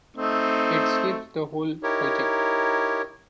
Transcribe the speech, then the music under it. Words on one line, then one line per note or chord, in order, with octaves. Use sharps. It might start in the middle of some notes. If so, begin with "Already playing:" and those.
It skips the whole project.
A3 C4 D#4
D#4 E4 G4 A#4 C#5